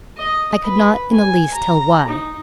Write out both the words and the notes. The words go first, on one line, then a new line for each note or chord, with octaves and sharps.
I could not in the least tell why.
D#5
B4
G#5
A#5
D#4